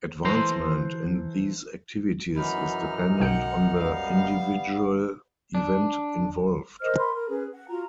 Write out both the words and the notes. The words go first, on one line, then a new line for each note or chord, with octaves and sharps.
Advancement in these activities is dependent on the individual event involved.
E3 A4 C5 A#5 C6
F#2 E3 F#3 D#4 B5 F6
B1 F#5 G5 C#7
G3 B3 F5
D4
A#4 C5 D#5 F6
A#4 B5 C6
A#4
C#4 G#4 B4
F#5
F4 F#4 A#5